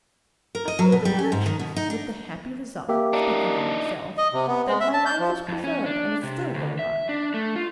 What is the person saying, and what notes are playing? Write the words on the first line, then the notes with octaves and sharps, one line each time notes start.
I followed the directions, with the happy result--speaking for myself--that my life was preserved, and is still going on.
A#4
D#5
F#3
B2
G3
C#4
G#2
D#3
B2
D#4
D4
A#3 G4 E5
D4 D#4
D#5
C3
B3
G#3
E5
A5
G6
F3
F2
C#4
D4
C3
D2
E5
D4
A3
F4